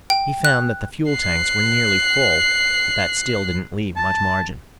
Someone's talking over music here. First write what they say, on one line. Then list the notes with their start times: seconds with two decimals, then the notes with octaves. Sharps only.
He found that the fuel tanks were nearly full, but that still didn't leave much margin.
0.10 G5
0.45 F#6
1.10 F#6 C7
3.96 A5